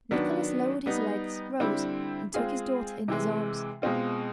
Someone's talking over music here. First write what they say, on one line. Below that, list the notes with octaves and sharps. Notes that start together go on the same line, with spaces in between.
Nicholas lowered his legs, rose, and took his daughter in his arms.
D#3 F#3 B3 D4
G3 B3 D#4
D3 G3 C4 E4
G#3 C4 F4 G#4
C3 E3 G#3
B2 G#3 C4 F4